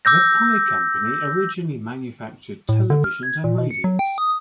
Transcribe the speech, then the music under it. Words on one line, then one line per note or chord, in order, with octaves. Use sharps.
The Pye Company originally manufactured televisions and radios.
D6 E6 G6 A#6
A2
D3
F6
G#6
A#2
B2
C#7
F#3
G5
D#6